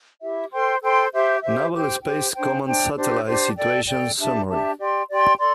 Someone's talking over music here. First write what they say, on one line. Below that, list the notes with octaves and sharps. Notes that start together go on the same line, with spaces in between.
Naval Space Command Satellite Situation Summary.
E4 G4 E5
A4 C5 G5 C6
A4 C5 G5 C6
G4 C5 E5
G4 C5 E5
G4 C5 G5
G4 C5 G5
D4 C5 G5
D4 C5 G5
D4 G4 C5
D4 G4 C5
A4 D5 G5
A4 D5 G5
D4 G4 E5 A5
D4 G4 E5 A5
G4 D5 G5 C6
G4 D5 G5 C6
A4 D5 C6